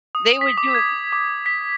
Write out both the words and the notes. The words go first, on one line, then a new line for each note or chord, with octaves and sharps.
they would do it
D#6
B6
D6
G#6
D6
B6